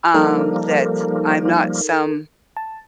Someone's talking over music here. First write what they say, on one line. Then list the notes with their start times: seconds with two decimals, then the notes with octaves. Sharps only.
um, that I'm not some
0.14 F3 G3 A#3 D#4 A4 A#4
2.57 A5